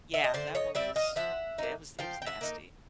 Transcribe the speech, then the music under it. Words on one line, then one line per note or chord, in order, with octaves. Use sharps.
Yeah, that one was yeah, it was it was nasty.
E5
D#5
D3 C5 D5
C#5 D#5
G3 C4 D5 E5
D#5 F5
F3 E5 F#5
A#3 D#4
F3 F5 G5
G5
E5 F#5
A#3 D#4